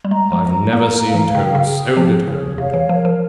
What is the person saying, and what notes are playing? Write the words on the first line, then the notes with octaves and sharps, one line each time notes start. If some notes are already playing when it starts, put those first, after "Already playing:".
'I've never seen Toad so determined.
G3
G#3 A#5
F3
A#5
A#3 A#5
F5
E3
C#3 G5
C#3
G#4
F3 G#4
C#3 C#5
C3 F5
E3
F3 A#4
F3